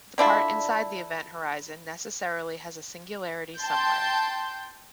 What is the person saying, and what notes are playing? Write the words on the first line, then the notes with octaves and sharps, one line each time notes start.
The part inside the event horizon necessarily has a singularity somewhere.
D3 D4 E4 F4
G5 A5 C6 G6